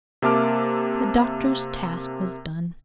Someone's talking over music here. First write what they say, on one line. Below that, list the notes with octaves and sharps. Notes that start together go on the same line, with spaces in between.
The doctor's task was done.
C3 A#3 E5 A5 D6 F6